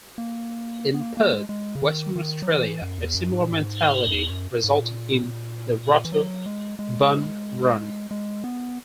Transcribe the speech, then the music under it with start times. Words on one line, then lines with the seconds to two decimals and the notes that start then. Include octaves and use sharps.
In Perth, Western Australia, a similar mentality resulted in the 'Rotto Bun Run'.
0.18 A#3
0.94 B3
1.00 A#3
1.17 A#3
1.33 G#3
1.49 G#3
1.75 C#3
1.82 D#3
2.15 D#3
2.42 F#3
2.49 E3
2.82 F#2
2.98 E2
3.15 F#2
3.32 G#2
3.42 A#2
3.52 G#2
4.07 F#2
4.14 E2
4.30 F#2
4.64 G#2
4.80 A#2
6.05 E3
6.12 F#3
6.46 G#3
6.79 G#3
8.11 G#3
8.44 B3